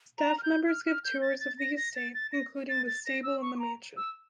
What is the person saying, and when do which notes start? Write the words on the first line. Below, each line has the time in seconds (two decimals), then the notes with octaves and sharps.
Staff members give tours of the estate, including the stable and the mansion.
0.18 A#5
0.38 F6
0.43 G6
0.68 F6
0.86 F6
1.05 G6
1.22 A6
1.40 A6
1.59 A#6
1.77 A#6
1.96 A6
2.14 A6
2.32 A#6
2.69 A6
2.87 A6
3.06 A#6
3.23 E6
3.42 C#6
3.56 C#6
3.60 A#5
3.97 E6